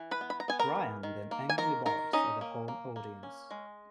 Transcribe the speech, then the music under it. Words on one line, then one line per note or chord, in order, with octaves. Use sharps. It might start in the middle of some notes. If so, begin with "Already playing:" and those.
Brian then angrily barks at the home audience.
Already playing: E3
B4 B5
B3
B5
A#5
B3 G#5
A#4 A#5
E3
D#3
A#3
G#5
D#3 A#4 A#5
D#3 A#4 A#5
C#4 D#4 D#5
A#3
A#3
A#3
C#4
G#3